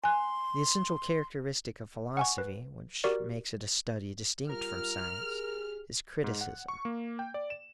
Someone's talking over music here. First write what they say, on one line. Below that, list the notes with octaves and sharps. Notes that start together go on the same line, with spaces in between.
The essential characteristic of philosophy, which makes it a study distinct from science, is criticism.
G#5 C6 F#6
F#5 G#5 C#6
B4
F#4 G4 A#4 D5
G3 F4 A#4 F6
G4 G#4
G#2
F#5
C#6
A#3
G5
D5
E7